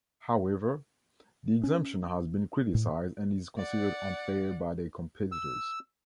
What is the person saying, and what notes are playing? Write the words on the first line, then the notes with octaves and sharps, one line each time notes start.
However, the exemption has been criticised and is considered unfair by their competitors.
C#4
A2
D5 F#5
E6